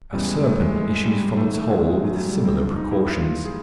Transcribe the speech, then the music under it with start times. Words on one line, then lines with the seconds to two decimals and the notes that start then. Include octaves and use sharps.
A serpent issues from its hole with similar precautions.
0.13 E2 C#3 E3 G3
0.29 G#3
0.44 A3
0.60 G#3
0.76 G#3
1.06 G3
1.37 G#2 D#3 A3
1.53 A3
1.63 A3
1.68 G#3
1.83 G#3
1.99 F#3
2.15 G3
2.29 G3
2.45 C4
2.60 G#2 F3 D4
2.76 D#4
2.91 E4
3.07 F4
3.22 F4
3.45 G#4